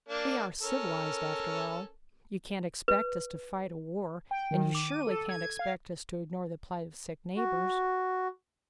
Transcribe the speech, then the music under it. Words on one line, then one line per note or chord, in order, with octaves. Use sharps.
"We are civilized, after all. You can't expect us to fight a war--and you surely can't expect us to ignore the plight of sick neighbors?"
A#3 D4
C#4 A4 A#4
B4
G5
D#3
D6
D#7
A4
G#6
F5
F#4